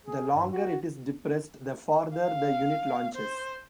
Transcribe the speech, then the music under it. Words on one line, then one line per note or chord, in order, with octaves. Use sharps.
The longer it is depressed, the farther the unit launches.
G#4
G2
F#4
F5
C5